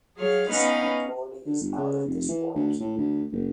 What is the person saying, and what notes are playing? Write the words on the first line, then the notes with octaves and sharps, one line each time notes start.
And the sound quality is out of this world.
F#3 G#4 C#5 F5
B3 C#4 D#4 B4 F5
D3
G1
C#3
F1
E3
D2
A2
D2
F#1